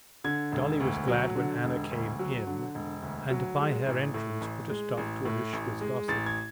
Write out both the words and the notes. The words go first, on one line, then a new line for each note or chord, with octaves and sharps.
Dolly was glad when Anna came in, and by her entrance put a stop to Annushka's gossip.
D3 G#6
E1
D2
F#3
D3
E1
D2
F#3
D3
E1
D2
F#3
G#3
A1
A2
A1
G#3
A1
A2
A1
G#3
A1 A6
G#6